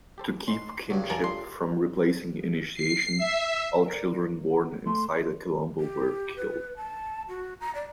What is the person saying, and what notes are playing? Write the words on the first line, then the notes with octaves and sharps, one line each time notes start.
To keep kinship from replacing initiation, all children born inside a kilombo were killed.
G4 A4 C5
C#4 D#4 C6
C#2 G2 F#3 D4 F#4
E2 F#3 D4 A#4 G#5 A5
D4 F4 C6
C7
E5
A#4 D5
A3 C6
G4
B4
A5
F#4
A#5
D5